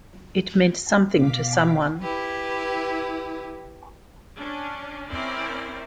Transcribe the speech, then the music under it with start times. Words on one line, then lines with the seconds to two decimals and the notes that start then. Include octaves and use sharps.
It meant something to someone.
1.10 B2 F5 D6 B6
1.99 E4 G4 B4
4.38 C#4 D4
5.09 C4 C#4 E4 A#4 C5 D5